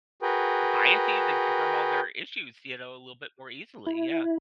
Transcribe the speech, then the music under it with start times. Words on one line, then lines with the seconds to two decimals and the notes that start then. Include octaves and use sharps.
biases and confirm all their issues, you know, a little bit more easily, yeah.
0.22 F#4 G#4 A#4 B4 G5
3.86 E4